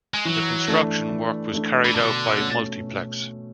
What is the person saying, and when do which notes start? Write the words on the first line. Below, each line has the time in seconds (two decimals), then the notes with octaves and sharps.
The construction work was carried out by Multiplex.
0.14 G#3
0.25 E3 F#3
0.68 A3 D4
1.11 E3
1.53 A3 D4
1.85 E3
1.95 B2 D3
2.38 A3 C#4
2.81 B2